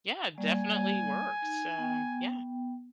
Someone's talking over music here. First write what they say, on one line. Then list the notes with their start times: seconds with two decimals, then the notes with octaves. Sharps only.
Yeah, definitely works. Um, yeah.
0.38 G3 A#3 D5 G#5
1.42 D#4
1.78 B3 G5